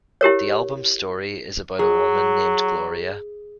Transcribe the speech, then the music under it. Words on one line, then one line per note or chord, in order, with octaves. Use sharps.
The album's story is about a woman named Gloria.
E4 G4 A#4 C#5
F#3 G#4